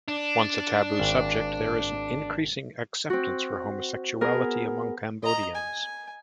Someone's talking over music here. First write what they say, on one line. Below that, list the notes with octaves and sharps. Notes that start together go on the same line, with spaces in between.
Once a taboo subject, there is an increasing acceptance for homosexuality among Cambodians.
D4
G#1
C4 F#4
B3 G#4 A#4
D#5 A#5
G#5